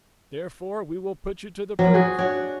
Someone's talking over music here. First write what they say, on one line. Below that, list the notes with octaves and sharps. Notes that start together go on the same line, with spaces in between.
Therefore we will put you to the proof.
F3 F#3
F#4 G#4
D4 F#4 C#5